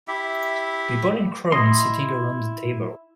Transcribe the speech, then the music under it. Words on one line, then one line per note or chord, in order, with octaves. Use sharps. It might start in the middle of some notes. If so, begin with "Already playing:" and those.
People in crowns sitting around the table.
E4 G4 E5
E4 D#5 C6